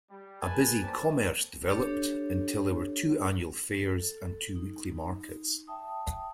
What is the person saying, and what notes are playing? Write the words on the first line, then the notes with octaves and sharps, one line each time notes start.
A busy commerce developed until there were two annual fairs and two weekly markets.
G3
G#4 A#4 B4 G#5 A5
C4 A#4 D5 A5
D4 G4 A4 C#5
A4
D#4
E5 G5 A5 D#6